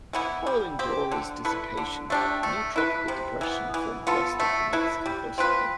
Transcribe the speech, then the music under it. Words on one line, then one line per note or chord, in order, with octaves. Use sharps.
Following Dora's dissipation, a new tropical depression formed west of the Mexican coastline.
E3 B3 E4
G3
C4 G4
D3
A3 E4 B4
D3
A3 D4 G4
A3
E4 B4
C3
E3 B3
E3
B3 F4 A4
A3
E4 B4
G3
C4 F4 B4